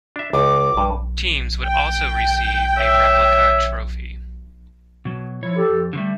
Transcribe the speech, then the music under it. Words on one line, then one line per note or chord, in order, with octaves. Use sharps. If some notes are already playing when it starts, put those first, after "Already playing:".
Teams would also receive a replica trophy.
D4 E5
C#2 D6
G2
G5
C#5 E5
B2 F#3
F3 E4 C#5
G4 A4
F2
D3 F3 G3 A3